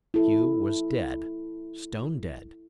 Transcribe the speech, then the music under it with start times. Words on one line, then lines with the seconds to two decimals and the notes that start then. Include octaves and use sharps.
Pew was dead, stone dead.
0.14 E4 A4